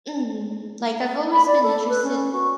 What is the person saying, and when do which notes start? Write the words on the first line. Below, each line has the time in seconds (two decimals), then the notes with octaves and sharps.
Mhm, like, I've always been interested,
1.32 B5
1.46 D5
1.63 A4
1.89 B4
2.04 C#4
2.33 F#4